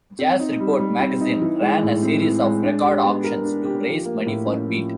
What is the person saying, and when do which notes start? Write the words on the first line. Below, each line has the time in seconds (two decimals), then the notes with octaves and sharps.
"Jazz Report" magazine ran a series of record auctions to raise money for Pete.
0.19 C4
0.40 D#4
0.60 G3
0.79 G3
1.00 C4
1.21 D#4
1.42 E3
1.62 G#3
1.82 A2
2.02 C4
2.22 E3
2.43 G#3
2.63 D4
2.83 G4
3.04 B3
3.24 A#4
3.44 D4
3.65 G4
3.85 F3
4.05 A#3
4.26 A2
4.46 C#4
4.66 F3